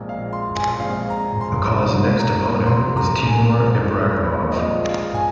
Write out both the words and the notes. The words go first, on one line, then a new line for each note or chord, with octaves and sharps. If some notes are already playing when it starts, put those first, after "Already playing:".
McCall's next opponent was Timur Ibragimov.
Already playing: A#1 A#2 G#3 C4
F5
C6
G#5
A#1 A#2 G#3 C4 F5
A#5
C6
C2 C3 F3
A#5
C2 C3 F3 C6
A#5
G#5
A#1 A#2 G#3 C4
A#1 A#2 G#3 C4 D#5
F5
G#5